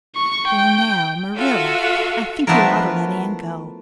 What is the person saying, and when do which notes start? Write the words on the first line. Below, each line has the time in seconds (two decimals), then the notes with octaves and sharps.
"Well now, Marilla, I think you ought to let Anne go."
0.16 C#6
0.48 G5
1.35 F4 F#4 A4 E5 F5
2.47 F3 A3 B3 D4 E4 A#4